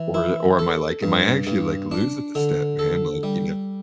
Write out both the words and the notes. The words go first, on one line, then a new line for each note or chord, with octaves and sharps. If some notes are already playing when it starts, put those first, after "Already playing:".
or or am I, like am I actually, like, losing a step, man?" Like, you know?
Already playing: E3
E4
A4
G2
G2
D4
D3
A4
G3